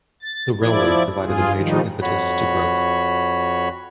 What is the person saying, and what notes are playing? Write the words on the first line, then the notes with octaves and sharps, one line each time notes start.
The railroad provided a major impetus to growth.
A6
F3 E4 D5 G#6
G2 F4 G#4
D#3 F3 G3 D#4
F2 F#4 C#5 B5